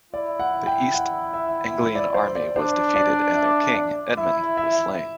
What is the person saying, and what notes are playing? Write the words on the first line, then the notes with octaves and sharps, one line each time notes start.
The East Anglian army was defeated and their king, Edmund, was slain.
E4 D5
F#5
G5
F#5
E5
D5
C5
D5
D4 C5
D5
E5
D5
E4 E5
E5